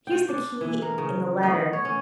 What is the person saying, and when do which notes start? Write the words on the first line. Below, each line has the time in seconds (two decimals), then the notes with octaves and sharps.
Here's the key in the letter.
0.07 G5
0.28 D4
0.61 E3
0.82 A#4
0.98 C#3
1.43 B3
1.73 C#5
1.85 C#4